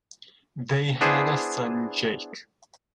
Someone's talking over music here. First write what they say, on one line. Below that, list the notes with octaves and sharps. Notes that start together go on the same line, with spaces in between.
They had a son Jake.
B3 D4 E4 G#4 C5